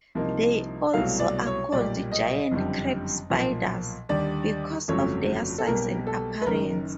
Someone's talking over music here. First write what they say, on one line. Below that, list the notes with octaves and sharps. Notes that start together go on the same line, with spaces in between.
They also are called giant crab spiders because of their size and appearance.
C2 C3 F3 A#3 D#4
C2 B2 F#3 A3 F5
D5
C#5
B1 A#2 G3 A#3 D5
D#5
F#1 F2 D3 G3
B1 A#2 F3 A#3
D#2 D3 G3 D5
G1 F2 C#3 F#3 A3 C#5
A4
B1 B2 G3 A#3 A#4
A4
B4
F#1 F#2 D#3 A#4